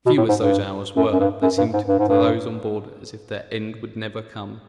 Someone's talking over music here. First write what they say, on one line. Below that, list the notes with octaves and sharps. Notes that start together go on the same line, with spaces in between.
Few as those hours were, they seemed to those on board as if their end would never come.
B2
A2
G#2
G2
F#2
F#2
G2
F#2
G2
G#2
G2
G#2
G2